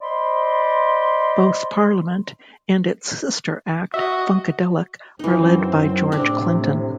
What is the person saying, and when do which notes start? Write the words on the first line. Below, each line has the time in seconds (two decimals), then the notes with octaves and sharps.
Both Parliament and its sister act, Funkadelic, are led by George Clinton.
0.01 C5 D5 D#5 B5 C6
3.94 F#4 D#5 E5
5.19 F#2 E3 C4 D#4
6.12 A2 C3 C4 D4